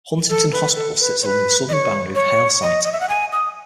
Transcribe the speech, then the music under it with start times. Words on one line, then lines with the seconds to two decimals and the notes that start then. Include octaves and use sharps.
Huntington Hospital sits along the southern boundary of Halesite.
0.30 A4
0.52 B4
0.75 A4
1.00 B4
1.22 C#5
1.26 B4
1.69 D#5
1.73 C#5
2.15 C#5
2.62 D#5
2.84 D#5
2.92 E5
3.00 F#5
3.09 G#5
3.32 D#6